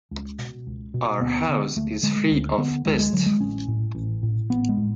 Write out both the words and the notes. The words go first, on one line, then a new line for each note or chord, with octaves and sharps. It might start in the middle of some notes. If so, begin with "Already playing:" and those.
Our house is free of pests.
C#2
B2
C#2
B2
D2 B3
D3
D2 A3
D3 G#3
D2
D3 B3
D2 G#3
G#3
D3 F#3
G#3
A1 C#4
A2
A1
A2
A1 B3
G#3
A2